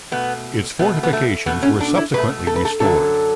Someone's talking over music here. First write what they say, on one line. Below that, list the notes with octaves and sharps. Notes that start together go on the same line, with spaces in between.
Its fortifications were subsequently restored.
B2 A3 B3
B2 A3 B3
B3
A3
B2 A3 B3
C#4
D4
E4
B2 A3 B4
A4
B4
A4
F#2 D3 F#3 A4